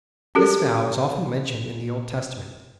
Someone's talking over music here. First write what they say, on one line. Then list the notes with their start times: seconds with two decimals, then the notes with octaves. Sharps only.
This vow is often mentioned in the Old Testament.
0.35 C#4 F#4 G4 A4 A#4